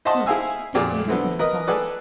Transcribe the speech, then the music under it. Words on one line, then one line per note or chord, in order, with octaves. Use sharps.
'Look! it's later than I thought.
C5 D#5 E5 F#5 A5 C6
E4 G#4 C5 F5 G#5 E6
F2 A#2 G4 G#4 D5 D6
D3 B3 C4 E4
A#4 B4 D#5 D#6
G#4 A4 B4 D5 F#6